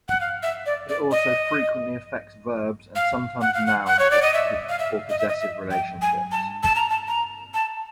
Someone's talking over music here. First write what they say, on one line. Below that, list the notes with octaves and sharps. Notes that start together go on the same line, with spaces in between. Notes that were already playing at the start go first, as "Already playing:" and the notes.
It also frequently affects verbs, and sometimes nouns or possessive relationships.
F#5
F5
E5
D5
D5
D#5
F5
F#5
F5
F#5
F#5
C#5
D5
D#5
E5
F5
E5
D#5
E5
D#5
E5
G5
G#5
A5
A5
A#5
A5
A#5
A5